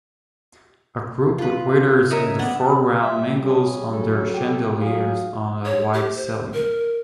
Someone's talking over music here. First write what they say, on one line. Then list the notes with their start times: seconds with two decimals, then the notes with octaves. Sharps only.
A group with waiters in the foreground mingles under chandeliers on a white ceiling.
1.38 F4 B4
2.10 G2 C#3 A#4 C#5 D#5 E5
2.39 B3 D4
3.02 G3 E5
3.45 C#3 G3 G#4
3.93 F#3 A4
4.35 G4
4.81 F#3 F4 G#4
5.65 C#5
5.93 G4
6.16 C5
6.54 A#4